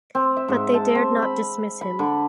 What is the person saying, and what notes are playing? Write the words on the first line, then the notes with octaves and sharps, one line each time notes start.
But they dared not dismiss him.
C4
E5
G#2
A5
C4
B5
B5
D3